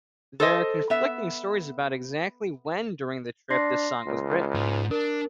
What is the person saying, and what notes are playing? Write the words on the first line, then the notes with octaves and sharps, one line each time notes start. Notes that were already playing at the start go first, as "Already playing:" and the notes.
There are conflicting stories about exactly when during the trip this song was written.
A4 C5 D#5
B3 E5
D4 C6 A#6 C7
C#2
G#2
D4 A#4